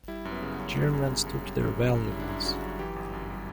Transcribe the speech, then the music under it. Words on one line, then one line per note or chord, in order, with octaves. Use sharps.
Germans took their valuables.
G3 E4
F#2
B3
C#3
B3
F#2
G3 D4
F#2
C#3
F#2
G3
F#2
C#3
F#2
G3 E4
D4
F#2 E4
C#3 F#4
F#2
E3 G4
G1
F#2
G3